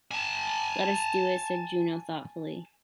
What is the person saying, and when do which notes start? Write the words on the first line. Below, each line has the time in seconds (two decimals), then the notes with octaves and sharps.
"Let us do it," said Juno thoughtfully.
0.11 G#5 A5